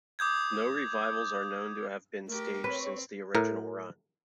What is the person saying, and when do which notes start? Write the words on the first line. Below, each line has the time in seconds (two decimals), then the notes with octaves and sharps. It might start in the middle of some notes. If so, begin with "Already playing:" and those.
No revivals are known to have been staged since the original run.
0.19 D6 D#6 G6 G#6
2.28 A3 G4 A#4
2.64 C4 B4 C#5
3.35 A2 A#4